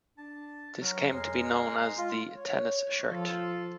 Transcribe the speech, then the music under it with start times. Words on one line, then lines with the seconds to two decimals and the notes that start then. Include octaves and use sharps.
This came to be known as the tennis shirt.
0.17 D4 A5
0.81 F#3 F#4 A#4
1.11 F2 G#3 A#4 C#5 C6
1.41 D#5
1.98 G#3 F4
2.35 C#5
3.07 F3 F4 A4